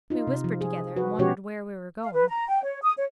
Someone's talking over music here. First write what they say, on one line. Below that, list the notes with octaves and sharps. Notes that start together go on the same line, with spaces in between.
We whispered together and wondered where we were going.
D#4 F4
C3
F3
G#4
F#4 B4
B2 F3 C#4 F#4 G4 C#5
F5
B4
A#5
G5
C#5
D#6
C#5